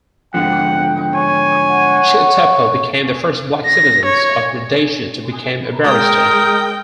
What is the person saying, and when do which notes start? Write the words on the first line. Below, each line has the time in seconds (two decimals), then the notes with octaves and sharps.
Chitepo became the first black citizen of Rhodesia to become a barrister.
0.34 G#2 D3 F3 F#5 G5
1.15 C#5 G#5
1.70 F#5
3.65 A#6
4.05 C#5
5.85 G#3 A#4 G5 D#6